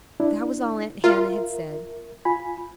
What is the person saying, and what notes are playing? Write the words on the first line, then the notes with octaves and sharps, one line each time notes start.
That was all Aunt Hannah had said.
D4 E4
F4 A#4 E5
F4 G#5 B5